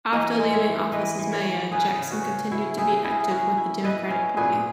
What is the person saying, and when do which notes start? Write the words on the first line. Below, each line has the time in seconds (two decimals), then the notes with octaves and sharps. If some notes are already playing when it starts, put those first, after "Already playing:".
After leaving office as mayor, Jackson continued to be active with the Democratic Party.
0.12 E3 D#5 F#5
0.39 G#3
0.53 C#5 E5
0.66 E3
0.92 E3 B4 D#5
1.19 E3
1.32 A#4 C#5
1.46 E3
1.71 C#3 G#4 B4
1.99 C#3
2.11 F#4
2.25 C#3
2.51 F#3 E4
2.77 C#3 E4 G#4
3.04 C#3 E4 G#4
3.20 G#4
3.31 C#4 F#4 A#4
3.57 E4
3.84 E4 B4 D#5
4.10 C#4
4.37 A#2 G#4 B4